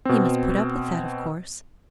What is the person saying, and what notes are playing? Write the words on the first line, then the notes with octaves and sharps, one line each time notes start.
He must put up with that of course.
B2 C4